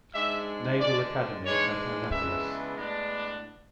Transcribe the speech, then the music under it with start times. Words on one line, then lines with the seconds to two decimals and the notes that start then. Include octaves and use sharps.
Naval Academy at Annapolis.
0.13 G#2 G#3 D4 E5
0.80 D3 G#3 D4 D5
1.45 G#2 E3 G#3 D4 C#5
2.11 C#3 E3 G#3 B3 D4 E5
2.77 A2 G#3 B3 D4